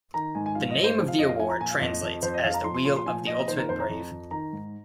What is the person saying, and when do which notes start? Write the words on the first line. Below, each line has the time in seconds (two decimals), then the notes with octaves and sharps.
The name of the award translates as the "Wheel of the Ultimate Brave".
0.14 D#3 A#5
0.35 G#2 G#5
0.46 G#5
0.55 F3 F5
0.70 D#5
0.77 G#2
0.84 C5
0.98 F3
1.08 F5
1.19 F2 D#5
1.29 F5
1.39 F3 G#5
1.50 A#5
1.61 A#2 G#5
1.70 F5
1.81 F2 D#5
2.03 F2
2.23 F2 C5
2.34 D#5
2.44 F2 F5
2.54 A#5
2.64 F3 C6
2.74 C6
2.85 A#2 C6
2.97 C6
3.06 F3 G#5
3.27 A#2 D#5
3.48 D#3 C5
3.58 A#4
3.69 F2 C5
3.80 A#5
3.89 F2
4.11 F2
4.31 D#3 A#5
4.53 G#2